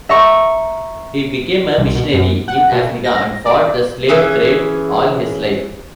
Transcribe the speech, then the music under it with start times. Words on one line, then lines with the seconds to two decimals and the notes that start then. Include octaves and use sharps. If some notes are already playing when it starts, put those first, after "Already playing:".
He became a missionary in Africa and fought the slave trade all his life.
0.09 E5 A#5 C#6
1.78 C2
1.95 B2
2.13 F#2
2.48 F#5
2.72 B2
3.04 A#6
3.46 D5
4.09 E3 C#4 G#4